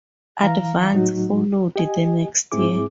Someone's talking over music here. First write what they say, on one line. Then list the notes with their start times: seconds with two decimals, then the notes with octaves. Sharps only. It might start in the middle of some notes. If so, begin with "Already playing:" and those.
"Advance" followed the next day.
0.43 E3 F5 A#5
0.94 A2 F#3 D#4 F#4
1.76 G4 D#5 G#5
2.52 G#2 C4 E4 G#4 D6